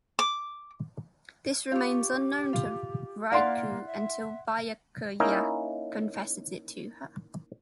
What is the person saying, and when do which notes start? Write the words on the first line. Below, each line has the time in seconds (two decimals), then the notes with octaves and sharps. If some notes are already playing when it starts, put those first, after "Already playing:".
This remains unknown to Rukia until Byakuya confesses it to her.
0.19 D6
1.72 F4 G4 C#5
2.53 F4
3.32 A#3 E4 D5 F5 F#5 C6
3.87 E5
5.20 A#3 C#4 D#4 E4 A#4